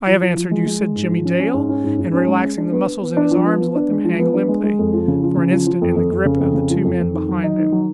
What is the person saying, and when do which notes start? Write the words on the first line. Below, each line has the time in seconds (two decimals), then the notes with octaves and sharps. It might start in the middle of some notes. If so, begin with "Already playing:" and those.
"I have answered you," said Jimmie Dale--and, relaxing the muscles in his arms, let them hang limply for an instant in the grip of the two men behind him.
0.07 F3
0.22 F3
0.37 F3
0.51 G#3
0.66 G#3
0.81 G#3
0.95 G#2
1.10 F3
1.25 C#4
1.40 C#4
1.54 G#2
1.69 C#4
1.84 G#2
1.99 G#2
2.13 C#4
2.27 G#3
2.43 G#3
2.58 D4
2.72 B3
2.86 B3
3.02 B3
3.17 D4
3.31 F3
3.46 B3
3.60 B3
3.75 D4
3.90 G#3
4.04 F3
4.19 B3
4.34 D4
4.48 G#3
4.63 G#3
4.79 F2
4.93 F3
5.08 C#3
5.23 F3
5.37 C#3
5.52 F3
5.66 F3
5.82 F2
5.96 F2
6.11 F2
6.25 C#3
6.40 F2
6.54 C#3
6.70 F3
6.84 F2
6.99 F2
7.13 D#3
7.29 F#3
7.44 D#4
7.58 D#3
7.72 F#3